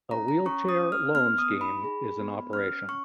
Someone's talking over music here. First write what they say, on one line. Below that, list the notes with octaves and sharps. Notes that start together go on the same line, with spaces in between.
A wheelchair loan scheme is in operation.
C#4 A#5
A#5
C#4 C#6
D#6
C#4
F6
B3 F6
D#6
D#4
B5
G#4
B3
C#4 F6
C#4 C#6